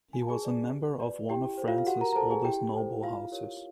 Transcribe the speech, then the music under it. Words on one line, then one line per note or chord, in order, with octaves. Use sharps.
He was a member of one of France's oldest noble houses.
F#4 G#5
A5
G#4 G#5
B4 D5
G4
B4 D5
E4 G4 G5
A4 C5
F4 F5
F5
F#4 G4 F#5
A#4 A#5
A#5
A4 C5 A5
G#4 G#5
E4 G4 G5
A4 C5
E4 F4 F5
G4 A#4 C#5